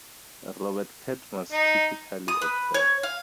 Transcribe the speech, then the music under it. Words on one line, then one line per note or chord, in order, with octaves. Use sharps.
Robert Cadmus typically observes.
D#4
D#6
B4
C#5
F5